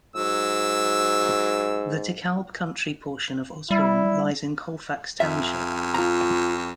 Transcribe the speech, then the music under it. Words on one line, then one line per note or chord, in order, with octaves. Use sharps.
The DeKalb Country portion of Osborn lies in Colfax Township.
G#2 F#3 E6
G3 E4
F2 E5
F4 A#5